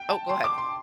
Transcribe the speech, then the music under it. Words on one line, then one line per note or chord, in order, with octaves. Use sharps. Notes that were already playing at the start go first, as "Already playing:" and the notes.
oh, go ahead.
Already playing: G5
A5
C6
D6
C6